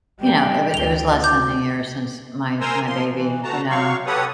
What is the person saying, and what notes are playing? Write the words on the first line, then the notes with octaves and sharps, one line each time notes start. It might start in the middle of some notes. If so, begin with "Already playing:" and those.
you know, it w it was less than a year since my my baby, you know,
G3 G5
D2 F7 G7
D6 G6
A#4 C5 G#5 A#5 C6 E6
F3 C6
E3
A3 F#4 A5 A#5
F#3 F5 C#6
G4 A4 B4 C#5 F#5 D#6